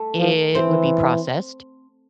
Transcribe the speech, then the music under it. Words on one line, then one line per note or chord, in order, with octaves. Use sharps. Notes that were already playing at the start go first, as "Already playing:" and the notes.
it would be processed,
Already playing: A3
F3
E3 C4